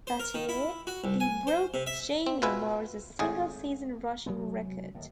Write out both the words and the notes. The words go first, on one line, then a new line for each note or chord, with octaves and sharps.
That year, he broke Jamie Morris's single-season rushing record.
C5
A#4
D#3
E4
F#4
C2
G#5
C5
C3
E5
C4
B2 F4 B4 E5 G#5
G#1 A2 G#4
C2 F#3 G#3 B3
D#2 A2